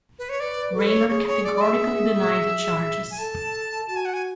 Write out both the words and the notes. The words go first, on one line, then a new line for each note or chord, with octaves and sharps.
Raynor categorically denied the charges.
B4
C#5
B4 D5
A4 B4
C#5
G#4 C#5
C#5
D5
D5
E5
G#5
A4 A5
F#4 A5
G#5
F#5
G#5